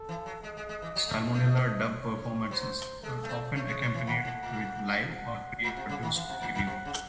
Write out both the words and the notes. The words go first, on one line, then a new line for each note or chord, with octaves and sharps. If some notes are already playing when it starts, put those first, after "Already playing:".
Salmonella Dub performances are often accompanied with live or pre produced video.
Already playing: A4
E3
F#3
G#3 D#5
G#3
G#3
E3
F#3
A3
A3
D#5
C#5
F#3 C5
G#3 A4
A3
C4
A3 C#5
G#3
F#3
E3
D#3 F#5
G#2
A2
F#5
A2 F#5
C3
C#3
D#3
E3 F#5
C3
A2
A2
C3
C#3